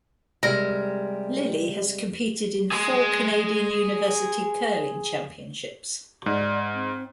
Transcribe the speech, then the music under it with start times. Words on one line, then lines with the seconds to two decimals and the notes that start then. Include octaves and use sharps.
Lilly has competed in four Canadian University Curling Championships.
0.43 C3 G3 G#3 A#4
2.72 G#4 C6
6.26 G#2 D5
6.74 C4